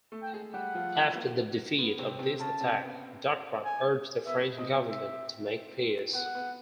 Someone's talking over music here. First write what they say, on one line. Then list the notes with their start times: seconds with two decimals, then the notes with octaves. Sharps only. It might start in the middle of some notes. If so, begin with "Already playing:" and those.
After the defeat of this attack, Ducrot urged the French government to make peace.
0.12 A3 A4
0.22 G5
0.33 G#3 G#4
0.54 G3 G4 F#5
0.74 F3 F4
0.95 E3 E4
1.15 A#3
1.79 B3
1.99 C3 C4
2.19 C3 C4
2.40 C#3 C#4 A5
2.61 C3 C4
2.82 B3
3.65 G#5
4.27 B3 E5
4.42 B3
4.58 C3 C4 D#5
4.73 C3 C4
4.90 E5
6.13 B3 F#5
6.35 B3